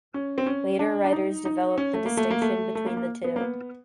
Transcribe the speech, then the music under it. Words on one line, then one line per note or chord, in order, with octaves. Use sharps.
Later writers developed the distinction between the two.
C#4
C4
C#4
D4
D4
D#4
D#4
C#4
A3
A#3
A3
A#3
A3
A3
A#3
A#3
B3
A#3
B3